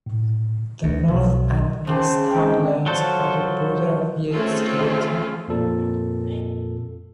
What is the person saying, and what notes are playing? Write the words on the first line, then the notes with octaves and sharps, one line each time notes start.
The north and east town lines are the border of Yates County.
A2
D2
B1
C#3 G4 C5 A5
C3 G#3 G5
F#3 F4 A4 C5
A3 C4 C#4 F4 G#4 A4
F2 A#2 A4